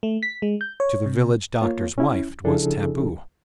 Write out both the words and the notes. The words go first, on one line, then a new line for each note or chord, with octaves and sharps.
To the village doctor's wife it was taboo.
A3
B6
G#3
G6
C#5
C3
A#3 F4 C#5
C#4 E4
C#3 F3 D4 E4 G#4 A4